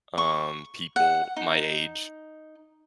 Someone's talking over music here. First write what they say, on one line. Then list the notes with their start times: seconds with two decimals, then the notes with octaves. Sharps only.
um, people my age,
0.18 C#6
0.96 F#5
1.37 D#4